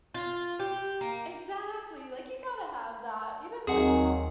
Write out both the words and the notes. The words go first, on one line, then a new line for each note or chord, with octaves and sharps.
Exactly like you gotta have that even like.
F4
G4
A#3
D#2 D#3 F#3 C4 G#4 F#5 G#5